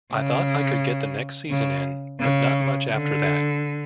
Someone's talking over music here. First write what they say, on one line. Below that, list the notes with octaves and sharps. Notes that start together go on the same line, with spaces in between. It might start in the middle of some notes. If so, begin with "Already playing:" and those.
I thought I could get the next season in, but not much after that.
C#3
C#3
C#3
D3